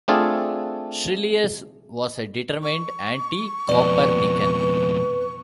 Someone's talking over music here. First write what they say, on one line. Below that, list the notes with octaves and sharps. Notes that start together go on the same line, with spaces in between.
Schyrleus was a determined anticopernican.
A3 C4 D4 F4 G#4 A4
C#6
F2 B2 B4 D5